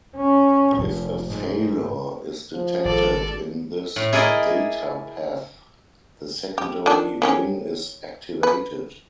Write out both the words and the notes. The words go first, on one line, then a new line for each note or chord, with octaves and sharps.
If a failure is detected in this data path, the secondary ring is activated.
C#4
F1
G#2
F3
G#1 A4 D5
A2
E4 G#4 A#4 D5 D#5
G4
D#3 D4
D#3 C#4 G4
B4